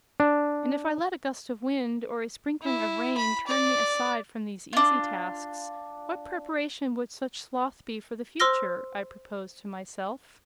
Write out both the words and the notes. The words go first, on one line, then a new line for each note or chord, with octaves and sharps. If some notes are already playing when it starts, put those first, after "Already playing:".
"And if I let a gust of wind or a sprinkling of rain turn me aside from these easy tasks, what preparation would such sloth be for the future I propose to myself?"
D4
E4
B5
D5
D4 F4
C5 C6 E6 F6 A#6 G7